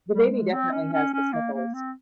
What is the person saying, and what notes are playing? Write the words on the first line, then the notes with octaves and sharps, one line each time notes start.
The baby definitely has the sniffles.
G3
G#3
C4
C#4
C#4
C#4
A#3
A#3
C4